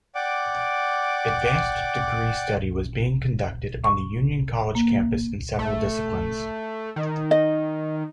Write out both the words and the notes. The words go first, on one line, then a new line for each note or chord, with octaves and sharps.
Advanced degree study was being conducted on the Union College Campus in several disciplines.
D5 F#5 G5 D6
C#6
A#3
A3
D#3
D#5